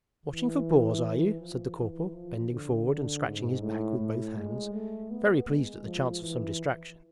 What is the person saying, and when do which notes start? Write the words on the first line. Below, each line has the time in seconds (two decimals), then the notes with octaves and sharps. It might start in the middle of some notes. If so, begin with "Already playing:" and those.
'Watching for boars, are you?' said the corporal, bending forward and scratching his back with both hands, very pleased at the chance of some distraction.
0.28 E3
1.39 F3
1.76 E3
2.13 F3
2.51 D3
3.25 G#2
3.62 A2
3.99 A2
4.37 G#3
4.73 A3
5.10 B3
5.47 G#3
5.85 F3
6.22 E3